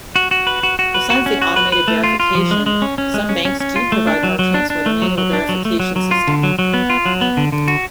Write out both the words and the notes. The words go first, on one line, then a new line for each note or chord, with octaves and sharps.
Besides the automated verification, some banks do provide merchants with a manual verification system.
F#4
F#4
B4
F#4
F#4
B4
F#4
C#4
F#4
B4
B4
A3
F4
F4
F3
G#3
G#3
C#4
C#4
G#3
C#4
C#4
C#4
F4
A3
D4
F#3
F#3
D4
D4
A3
F#3
F#3
D4
F#3
A3
F#3
F#3
F4
D3
F#3
F#3
B3
F4
F#3
B3
D3
D3
F#4